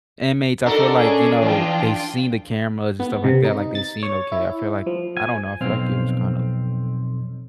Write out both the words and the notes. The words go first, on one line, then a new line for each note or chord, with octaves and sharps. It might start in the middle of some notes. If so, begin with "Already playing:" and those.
inmates I feel like, you know, they've seen the cameras and stuff like that, like they seen okay I feel like I don't know, I feel like it was kind of
D4 D#4 F#4 A4 A#4
C#4 D4 G#4
E3 D4 F4 G5
B3
C3
D#4
A6
C#5
E4
F3
G#5
B1 F2 C4 F5